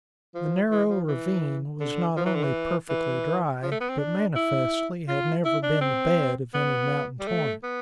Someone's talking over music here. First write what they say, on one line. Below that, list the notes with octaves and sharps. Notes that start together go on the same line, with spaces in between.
The narrow ravine was not only perfectly dry, but manifestly had never been the bed of any mountain torrent.
F3
E3
F3
E3
D3
F3
E3
D3
E3
E3
F3
A3
B3
C4
D4
E4
F4
E4
D4
C4
B3
G3
A3
B3